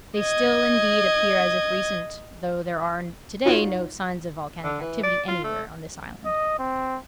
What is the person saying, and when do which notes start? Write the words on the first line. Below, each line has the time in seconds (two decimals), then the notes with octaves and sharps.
They still, indeed, appear as if recent, though there are to-day no signs of volcanic activity anywhere on this island.
0.19 D#5 G#6
3.46 D#4 F4 F#4 C#5
4.64 D3
4.81 E3
5.03 D5
5.28 F4
5.43 A3
6.25 D#5
6.59 C4